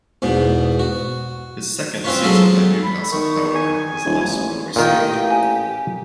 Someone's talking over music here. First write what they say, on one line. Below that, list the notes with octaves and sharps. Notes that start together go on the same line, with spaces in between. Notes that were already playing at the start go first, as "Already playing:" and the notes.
His second season at Newcastle however was less well received.
E2 G#2 B2 B3
F#4
C4 C#4 F4 B4 C#5
F#3 G#3 F4 A4
B5
D#3 C#6
G#5
D#1
A1
A1 A#2 D#3 A#3 D#5 G5
G4 G#5